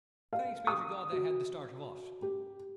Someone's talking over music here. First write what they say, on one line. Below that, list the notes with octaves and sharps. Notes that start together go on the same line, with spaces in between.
Thanks be to God they had the start of us.
F5
D#6
F#4
G4